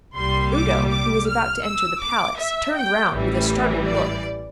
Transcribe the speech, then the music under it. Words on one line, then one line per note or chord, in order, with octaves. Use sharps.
Udo, who was about to enter the Palace, turned round with a startled look.
C2 A#2 G3 C6
D6
D6
F6
E6
D6
E5
G5
A1 A2 E3 G3
D5